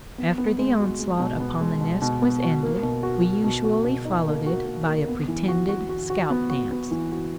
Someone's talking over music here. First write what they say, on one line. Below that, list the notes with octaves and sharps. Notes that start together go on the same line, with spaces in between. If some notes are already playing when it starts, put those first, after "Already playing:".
After the onslaught upon the nest was ended, we usually followed it by a pretended scalp dance.
B3
B3
G#3
F#4
G#3
B2
B3
G#3
B2
B2
B3
F#4
A#3
B2
F#4
F#4
B2
F#4
B2
D#4
A#3
F#4
A#3
A#3
B3
E3
F#4
F#4
F#4
F#4
B3
F#4
B3
E3
F#4